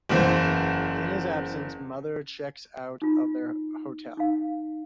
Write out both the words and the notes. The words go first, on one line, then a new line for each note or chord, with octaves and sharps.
In his absence Mother checks out of their hotel.
F#1 E2 C5
D#4 F4
D#4 F5